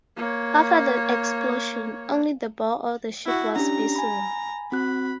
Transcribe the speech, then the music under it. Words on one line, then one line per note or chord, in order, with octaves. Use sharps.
After the explosion, only the bow of the ship was visible.
A#3 C#5
E4 F#4
C#4 D4 G4 A#5
G#5 B5
C4 F#4 B5 F#6